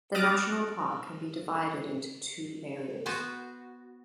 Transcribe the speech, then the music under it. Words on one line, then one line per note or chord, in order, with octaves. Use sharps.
The national park can be divided into two areas.
D#6 F6 F#6 A6 A#6 D7
B3 F#4 B4 C5